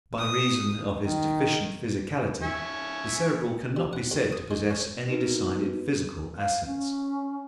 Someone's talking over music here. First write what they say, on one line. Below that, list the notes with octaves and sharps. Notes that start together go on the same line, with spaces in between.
By reason of his deficient physicality the Cerebral can not be said to possess any decided physical assets.
D#6
D#3
E5 G#5 C#6
G3
F#5
D2
D#6
G#3
C#4
B3 D#4 E4 F#4 A#4 B4
F5
C#4